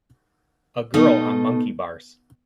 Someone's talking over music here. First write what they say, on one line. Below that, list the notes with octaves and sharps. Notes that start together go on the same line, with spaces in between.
A girl on monkey bars.
B2 A3 D#4